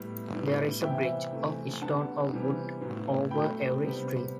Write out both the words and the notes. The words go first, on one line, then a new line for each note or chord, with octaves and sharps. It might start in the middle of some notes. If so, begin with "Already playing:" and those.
There is a bridge of stone or wood over every stream.
Already playing: A2 G3 B3
A2 G3 B3
C3 E3 G3 B3 E5 G5
C3 E3 A3
D3 G3 B3 F#5 A5
C3 E3 G3 B3
A2 F#3 B3
B2 F#3 A3 G5 B5
C3 G3 B3